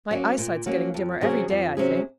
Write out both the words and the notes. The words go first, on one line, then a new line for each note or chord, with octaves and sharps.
My eyesight's getting dimmer every day, I think.
F#3 A#3 C#4
A#2
F#3 A#3 C#4
F2
C3 F#3 C#4 G#4
F2
C3 F#3 C#4 G#4